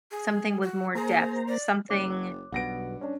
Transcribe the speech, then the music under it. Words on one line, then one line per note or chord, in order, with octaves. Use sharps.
Something with more depth. Something
G#4
F#4
A#3 G#4 C5 A#5
D5
F#1 C#5 D6 F#6
B1 G2 B2 B3 F#5 A#6 D7
C#4 D4